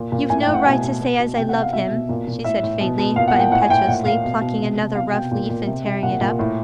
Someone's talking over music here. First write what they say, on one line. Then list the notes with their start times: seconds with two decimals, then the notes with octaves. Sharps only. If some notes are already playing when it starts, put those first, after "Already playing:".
"You've no right to say as I love him," she said, faintly, but impetuously, plucking another rough leaf and tearing it up.
Already playing: A#2
0.12 A#2
0.30 A2 G#5
0.42 G5
0.47 A2
0.54 F#5
0.65 B2 G#5
0.83 B2
1.01 B2
1.20 B2
1.37 C3 G5
1.49 F#5
1.56 C3
1.62 F5
1.73 B2 E5
1.91 B2
2.09 A#2
2.27 A#2
2.44 A2 E5
2.63 A2
2.81 B2
2.98 B2
3.16 A#2 F5
3.28 F#5
3.34 A#2
3.40 G5
3.51 A2 F#5
3.62 G#5
3.70 A2 G5
3.88 A#2 F#5
4.05 A#2 F5
4.24 B2
4.41 B2
4.60 C3
4.77 C3
4.95 B2 F5
5.13 B2 G5
5.31 A#2
5.49 A#2
5.67 C3
5.85 C3
6.03 A#2 F#5
6.21 A#2
6.39 A2